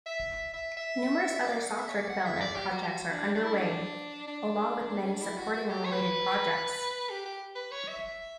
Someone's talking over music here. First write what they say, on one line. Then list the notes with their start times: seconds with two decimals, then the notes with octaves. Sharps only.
Numerous other software development projects are underway, along with many supporting and related projects.
0.06 E5
0.53 E5
0.77 E5
1.46 D5
1.62 F#5
1.79 E5
1.89 C#5
1.94 D5
2.10 F#5
2.25 E5
2.40 D5
2.56 G4
2.72 F#4
2.83 G4
2.87 F#4
3.11 D4
3.34 D4
3.44 E4
3.53 D4
4.27 D4
5.01 C#4
5.12 D4
5.22 E4
5.37 F#4
5.53 F#4
5.69 G4
5.85 C#5
5.92 B4
7.10 G4
7.25 G4
7.55 B4
7.72 C#5
7.88 E5